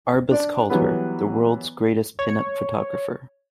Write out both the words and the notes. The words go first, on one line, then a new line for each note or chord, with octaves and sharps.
Arbus called her, the world's greatest pinup photographer.
D4 D5
E3 F#3 G3 B3 B4
C#5